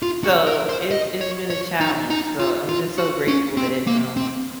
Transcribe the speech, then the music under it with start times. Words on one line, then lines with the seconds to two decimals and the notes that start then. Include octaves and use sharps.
so, it's it's been a challenge, so, I'm just so, grateful that, um,
0.02 F4
0.24 F#4
0.47 A#4
0.69 C5
0.91 D#5
1.21 C#5
1.50 C#5
1.81 D#4
2.10 D#4
2.40 F4
2.69 F4
2.98 F#4
3.28 C#4
3.57 C4
3.87 A#3
4.17 C4